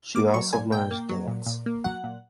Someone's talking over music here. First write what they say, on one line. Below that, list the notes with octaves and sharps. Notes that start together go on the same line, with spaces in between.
She also learned dance.
A#3 D6
F#3 C#6
A#2 G#5
A#2 G5
A#3
F#3
A#2
A#2
A#3
F#3 F#5
A#2